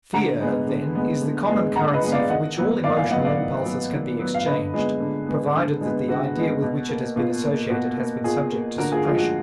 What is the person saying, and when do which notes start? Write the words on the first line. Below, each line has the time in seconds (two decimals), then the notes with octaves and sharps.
Fear then is the common currency for which all emotional impulses can be exchanged, provided that the idea with which it has been associated has been subject to suppression.
0.13 D3 F#5 A#5
0.41 G#3 B3
0.68 D3
0.95 G#3 B3
1.22 D3
1.49 G#3 B3
1.76 D3 F#5 A#5
1.94 B4 D#5
2.03 G#3 B3
2.12 D5 F5
2.30 D#3 D#5 F#5
2.57 F#3 B3
2.84 D#3 D5 F5
2.97 F5 G#5
3.11 F#3 B3 D#5 F#5
3.24 D5 F5
3.39 D#3
3.64 F#3 B3
3.92 D#3
4.19 F#3 B3
4.35 F5
4.46 D3 B4 D#5
4.74 G#3 B3
5.00 D3
5.27 G#3 B3
5.54 D3
5.81 G#3 B3
6.08 D3 F#4
6.35 G#3 B3
6.62 B2
6.89 A#3
7.16 B2 F4
7.43 A#3
7.70 B2 F#4
7.97 A#3
8.24 B2 F4 G#4
8.52 A#3
8.78 D3 F#4 A#4
8.92 F4 G#4
9.05 F3 G#3 F4
9.19 F#4